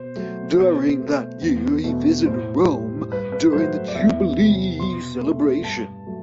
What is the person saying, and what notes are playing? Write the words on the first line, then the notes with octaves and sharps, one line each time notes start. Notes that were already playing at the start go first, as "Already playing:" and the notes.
During that year he visited Rome during the jubilee celebration.
Already playing: B2 C5
F#3 A3
B2
A3
E2
B2 A3
A2 C5
G3
G2 B4
B4
F#3 A3 C5
D5
E2 E5
C3 G3
B2 C6
A3
G2 A5
F#3 A3